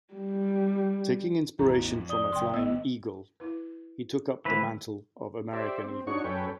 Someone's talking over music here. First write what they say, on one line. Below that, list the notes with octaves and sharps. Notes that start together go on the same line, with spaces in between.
Taking inspiration from a flying eagle, he took up the mantle of American Eagle.
G3
A1 E2 E3 A#5
F2
D5 D#6 G7
F#1 G5 C6
G#1 B3 D#5 E6
E4 B4
D3 E3 G#3 B4 C5
G4 C5 D5 E5
C4
D4 D#4 F#4 C#5 C#6
F#2 C#4 A4 B4 C#5 G5